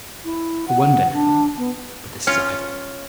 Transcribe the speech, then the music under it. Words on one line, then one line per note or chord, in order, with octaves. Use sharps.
I wonder now--But this is idle.
E4
F#5
D4
B3
C#4 F4